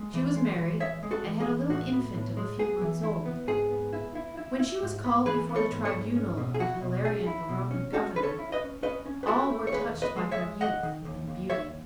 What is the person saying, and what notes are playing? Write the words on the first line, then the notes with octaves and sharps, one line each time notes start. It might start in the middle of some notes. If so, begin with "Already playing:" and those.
She was married, and had a little infant of a few months' old. When she was called before the tribunal of Hilarion the Roman Governor, all were touched by her youth and beauty.
Already playing: G#3
E3
G#3
E3
G#3 C#5 E5
G#3
F#4 A4
E3
G#4
E3
A2 F#4
B3
A2
G#3
B3 G#4
E3
E4
B3
G#2 G#4
B3
E4
E4
E4
E4
G#2
B3
E3 G#4 B4
B3
A4 C#5
G#2
A4 C#5
G#2
C#4
B2
G#4
E4 F#4
B2
C#4 G#4
E4
B2
C#4
C#4 F#4 A4
C#4 B4
A4 C#5
E4
B4 D#5
C#4
C#4 B4 D#5
C#4
B4
E4 F#4 A4
A3
C#5
D#2 G#4 B4
D#2
B4 D#5
G#3
C#5 E5
G#3
D#2 D#5 F#5
D#3
D#2
D#2
D#2 C#5 E5